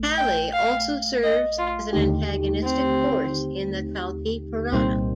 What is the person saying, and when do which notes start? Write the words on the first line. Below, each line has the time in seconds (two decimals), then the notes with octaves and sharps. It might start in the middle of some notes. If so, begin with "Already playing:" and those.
Kali also serves as an antagonistic force in the Kalki Purana.
Already playing: A#1 A3
0.18 G5
0.53 F5
1.23 D#5
1.58 F4
1.93 D#2 D3 A3 D#4 G4
2.63 C4
4.72 C2 A#2 G3 A#3 C4 D#4